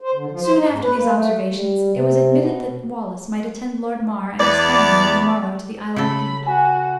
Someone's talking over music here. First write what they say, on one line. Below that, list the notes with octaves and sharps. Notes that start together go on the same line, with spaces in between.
Soon after these observations, it was admitted that Wallace might attend Lord mar and his family on the morrow to the Isle of Bute.
C5
D3
F3
C5
D#4
G#2
B4
A#3
A3
G3
C3
B2
E2 B3 D5
C#3 A4 B5
F#4 G#5